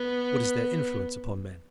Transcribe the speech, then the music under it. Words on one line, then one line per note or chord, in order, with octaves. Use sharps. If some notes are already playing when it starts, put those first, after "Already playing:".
What is their influence upon men?
Already playing: B3